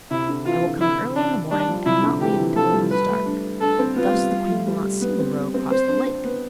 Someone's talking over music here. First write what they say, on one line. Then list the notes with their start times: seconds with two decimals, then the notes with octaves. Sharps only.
I will come early in the morning and not leave until it is dark; thus the queen will not see me row across the lake.'
0.11 C3 E4
0.29 D3
0.45 E3 F4
0.63 D3
0.81 E4
1.16 D4
1.51 G3 D4
1.68 F3
1.86 C3 E4
2.04 D3
2.21 E3 G4
2.39 E3
2.56 F3 A4
2.73 G3
2.91 G3 B4
3.08 A3
3.26 D4
3.61 D4 A4
3.79 C4
3.96 B3 F4
4.14 G3
4.31 G3
4.49 A3
4.67 G3
4.83 G3
5.01 B3
5.19 C4
5.54 C4
5.71 C4 C5
5.88 D4
6.06 C4
6.25 B3